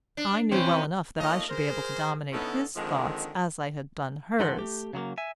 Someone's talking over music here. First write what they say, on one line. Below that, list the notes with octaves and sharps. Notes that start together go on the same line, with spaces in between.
I knew well enough that I should be able to dominate his thoughts as I had done hers.
D4
C3 E3 C4 C#4
A3 A#3 D#4 F4 C#5 D#5
G#4 A#4 C5
D3 B3 C#4 D#4 E4 A4
D3 D#3 F3 G#3 C4
G2 D#3 E3 A4 F#5 C6
A3 G4
C#3 F#3 G#3 A#3
E5 G#5